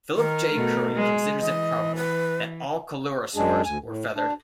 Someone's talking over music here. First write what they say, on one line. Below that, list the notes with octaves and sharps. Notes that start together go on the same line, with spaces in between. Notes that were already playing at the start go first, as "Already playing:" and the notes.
Philip J. Currie considers it probable that all coelurosaurs were feathered.
D#3 A#4
B2 A3
G#3
E3 D#5
B4
F#2 G#3 D4 G#4
D2 G#5
A2
D4